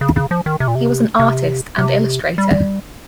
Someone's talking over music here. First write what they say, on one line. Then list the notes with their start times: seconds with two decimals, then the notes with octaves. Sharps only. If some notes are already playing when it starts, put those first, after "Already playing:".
He was an artist and illustrator.
0.01 C#3
0.16 C#3
0.31 F3
0.46 D#3
0.60 C3
0.68 A#2
0.75 C3
1.19 C3
1.78 C3
2.38 G3